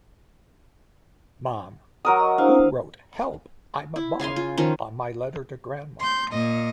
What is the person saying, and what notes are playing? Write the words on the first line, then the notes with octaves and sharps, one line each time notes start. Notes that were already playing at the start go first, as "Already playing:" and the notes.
Mom: Who wrote 'Help I'm a bug' on my letter to Grandma?
F#3 A#4 D#6
D#5 C#6
D4 E4 C5 F5
E4
C#3 F5 G#5 C6
F4
D#3 F3 C#4 F4
C6 G6
A#2 D#5